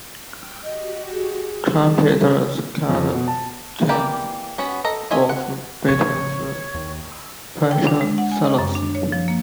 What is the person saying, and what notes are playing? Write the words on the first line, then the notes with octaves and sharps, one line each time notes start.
Trumpeter Scott Steen was Bette's featured soloist.
G5
F#4 G4 D#5
G#4
G3 A5
F2
B2
A5
E3 A#3 G4 D5
B3 C#4 F#4
A4 D#5 A#5
C#4 F4 D#5 E5 G#5
F#5
A1 C#3 F3 C#5
D#2
G5
D4
G#3
F#5
G#5
D#5
F#2
D4
C#5
F3
A#3